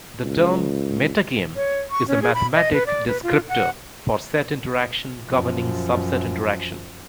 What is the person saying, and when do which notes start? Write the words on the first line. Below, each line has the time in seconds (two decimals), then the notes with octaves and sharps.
The term "metagame" is a mathematic descriptor for set interaction governing subset interaction.
0.23 C#2
1.56 C#5
1.91 C#6
2.08 C#4
2.22 G#4
2.34 B5
2.54 D#5
2.74 B4
2.87 D5
3.08 B4
3.23 F4
3.49 F#5
5.27 F#2 F3